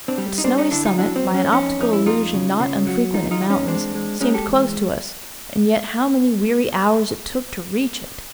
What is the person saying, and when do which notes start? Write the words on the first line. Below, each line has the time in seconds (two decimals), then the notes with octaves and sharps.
Its snowy summit, by an optical illusion not unfrequent in mountains, seemed close to us, and yet how many weary hours it took to reach it!
0.08 C4 D4
0.18 G3
0.38 D#4
0.44 G3 C4 D4
0.58 C#4 D#4
0.71 D3 D4 E4
0.85 D#4 F4
0.98 F#3 D4 E4
1.16 C4
1.25 F2
1.34 C#4
1.52 F2 C#4 D#4
1.79 F2 D#4
1.93 E4
2.05 F2 D#4 F4
2.34 C#3
2.60 C#3
2.87 F#3
3.13 E2 D#4 F4
3.31 D#4 F4
3.40 E2
3.50 C#4 D#4
3.67 G#3 C4 D4
3.95 G#3
4.21 G#3 C#4 D#4
4.34 G4 A4
4.48 E2